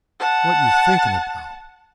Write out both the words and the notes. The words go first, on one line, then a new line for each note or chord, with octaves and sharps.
What you thinking about?
F#5 A5